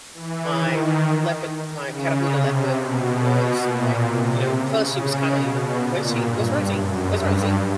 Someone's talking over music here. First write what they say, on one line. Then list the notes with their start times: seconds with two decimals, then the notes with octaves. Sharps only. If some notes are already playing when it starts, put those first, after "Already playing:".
my leopard my Catahoula Leopard was, like, you know, first, she was kinda, you know, like, "Where's she? Where's Rosie? Where's Rosie?
0.13 E3
0.56 D#3
1.87 C#3
2.30 C3
2.74 B2
3.61 A#2
4.04 C3
4.49 C#3
4.91 C#3
5.34 B2
5.78 A#2
6.22 G2
6.66 F#2
7.08 G2